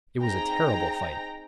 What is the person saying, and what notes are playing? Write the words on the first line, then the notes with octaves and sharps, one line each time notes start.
It was a terrible fight.
C4 D#4 G#4 G5 A#5